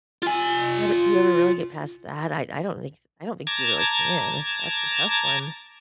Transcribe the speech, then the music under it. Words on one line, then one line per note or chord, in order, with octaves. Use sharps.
Yeah, but do you ever really get past that? I I don't think I don't think you really can. That's a tough one.
F4 G#5
A5 A#5 D6 G#6